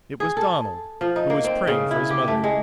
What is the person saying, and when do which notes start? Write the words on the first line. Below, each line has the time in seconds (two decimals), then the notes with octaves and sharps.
It was Donald who was praying for his mother.
0.20 G#4
0.37 A4
1.01 F3
1.16 D#4
1.30 A#3
1.44 C4
1.67 C#3
1.91 E4
2.10 G4
2.28 A3
2.44 G#3